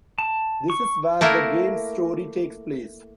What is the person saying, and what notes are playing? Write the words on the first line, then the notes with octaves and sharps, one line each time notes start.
This is where the game's story takes place.
A5
C#6
A3 A#3 E4 A#4